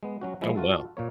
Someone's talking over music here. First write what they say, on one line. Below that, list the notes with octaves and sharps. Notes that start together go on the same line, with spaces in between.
Oh, wow.
G#3 B3
F#3 C#4 F#4
F3 G#3 E4
F4 F#4 A4
A#2 A#3 C#5